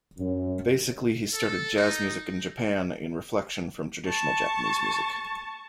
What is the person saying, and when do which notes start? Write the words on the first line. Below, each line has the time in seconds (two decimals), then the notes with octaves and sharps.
Basically, he started jazz music in Japan in reflection from traditional Japanese music.
0.17 F#2
1.34 A4
1.76 D#4
4.06 A5 C#6